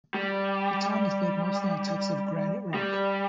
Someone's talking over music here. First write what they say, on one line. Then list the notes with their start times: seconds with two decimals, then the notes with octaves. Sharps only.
The town is built mostly on types of granite rock.
0.14 G3
2.74 G3